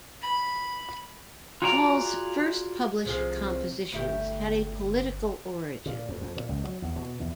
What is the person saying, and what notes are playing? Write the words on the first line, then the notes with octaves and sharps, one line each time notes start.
Hall's first published compositions had a political origin.
B5
F4 F#4 G#4 D5 A5 A#5
C2 C3 F3 G#4
G1 D2 E4 G4
A#2
F2
F2
A#2
C#2
F#3
E2
B2
E2